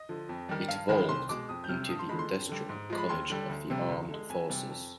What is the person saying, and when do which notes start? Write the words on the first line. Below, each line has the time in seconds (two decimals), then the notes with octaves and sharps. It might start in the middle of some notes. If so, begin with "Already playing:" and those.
It evolved into the Industrial College of the Armed Forces.
Already playing: D#5
0.09 D3 F3
0.29 F2
0.49 D#3 G3
0.68 G2 F5
0.89 D#3 G#3 B5
1.09 C2 C6
1.29 B2 G#3 D6
1.49 F2 D#6
1.64 G6
1.69 C3 G3 F6
1.89 G2 D#6
1.99 C6
2.09 D3 F3 G#3 B5
2.19 C6
2.29 F2
2.49 D3 G3
2.69 G#2
2.90 F3 G#3
2.98 B5
3.09 D#2 C6
3.30 D3 G3
3.49 D2
3.70 C3 G3
3.89 D2
4.10 D3 G#3
4.29 F2 G#5
4.50 C3 G3
4.70 F2